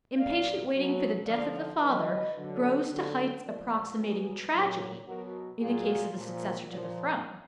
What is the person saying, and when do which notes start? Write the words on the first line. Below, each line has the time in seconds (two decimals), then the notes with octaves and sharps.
Impatient waiting for the death of the father grows to heights approximating tragedy in the case of a successor to the throne.
0.18 A#2 F#3 D5 F5
0.73 B2 F#3
1.27 D3 F3 D5 F5
1.81 D3 F#3 B4 D#5
2.35 D3 F#3
2.89 D3 F#3
3.43 A#2 F3 A#4 D5
3.97 B2 F#3 G#4 B4
4.52 A#2 F#3
5.06 B2 F#3 F#4 A#4
5.60 A#2 F#3 F4 G#4
6.15 A#2 F3
6.69 A#2 F3